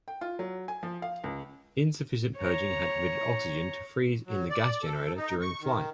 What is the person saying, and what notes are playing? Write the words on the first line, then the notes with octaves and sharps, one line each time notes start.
Insufficient purging had permitted oxygen to freeze in the gas generator during flight.
G5
F4
F#3
G#5
F3
F5
C#2
C#5 A#5
F#3
D5
A4
D#4
C#6
D#3